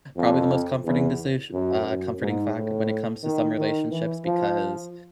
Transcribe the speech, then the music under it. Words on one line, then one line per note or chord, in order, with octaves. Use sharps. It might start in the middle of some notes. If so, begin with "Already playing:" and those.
probably the most comforting decis uh, comforting factor when it comes to some relationships because,
F2
E2
F#2
F#2
G#2
A2
D#3
D#3
E3
F3